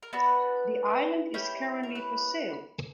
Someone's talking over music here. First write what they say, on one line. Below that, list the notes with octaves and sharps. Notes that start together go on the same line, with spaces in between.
The island is currently for sale.
A#4
B3 D4 F#4 B4
C#4 E4 G4
A#4
B4